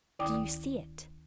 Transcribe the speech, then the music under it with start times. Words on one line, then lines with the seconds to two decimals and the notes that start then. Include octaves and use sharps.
"Do you see it?"
0.19 D2 D#3 E4 G5 D6 D#6